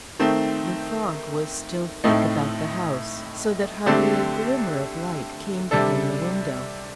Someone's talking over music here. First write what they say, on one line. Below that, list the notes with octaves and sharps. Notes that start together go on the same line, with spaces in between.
The fog was still thick about the house, so that hardly a glimmer of light came from the window.
D#3 A3 C4
A2 A3 C4 D#4
D3 A3 C4 G4 D5
C3 G3 D4 A4